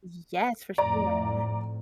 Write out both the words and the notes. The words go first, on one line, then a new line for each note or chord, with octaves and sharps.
Yes, for sure.
F2 A2 D5 A#5